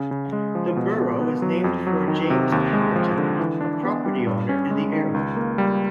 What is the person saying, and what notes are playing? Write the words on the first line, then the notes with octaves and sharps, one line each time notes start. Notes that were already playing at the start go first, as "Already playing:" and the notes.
The borough is named for James Pemberton, a property owner in the area.
Already playing: C#3
C#3
G#3
F3
B2
B2
B3
F#3
F2
F#3
D#3
C3
D#2
G#3
F3
D3
E3
D4
B3
G3
G2
C#4
G#3
D#3
C#2
A#3
G3